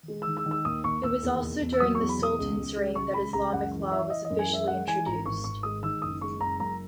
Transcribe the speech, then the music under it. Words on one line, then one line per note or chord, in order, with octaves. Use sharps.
It was also during the Sultan's reign that Islamic Law was officially introduced.
G#3
D#3 E6
E6
D#3
E6
D#2 D#6
D#2 C#6
D#2 E6
E2
B2
E2
E6
F#3 D#6
E2 C#6
B5
B2 D#6
C#2
C#2
G#3
C#2 C#6
C#2 B5
C#2 A#5
F#2 F#5
E3
E3 E5
E5
E3 D#5
D#5
F#2
G#5
G#3 E5
G#3 F#5
E3 G#5
G#1 A#5
G#1 C#6
G#1 C#6
G#3 D#6
D#3 E6
F#1 D#6
G#3 C#6
F#1 A#5
F#2 A#5